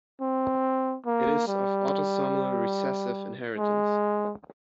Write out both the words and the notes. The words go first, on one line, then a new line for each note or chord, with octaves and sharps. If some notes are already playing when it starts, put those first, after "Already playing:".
It is of autosomal recessive inheritance.
C4
A#3
G3
G#3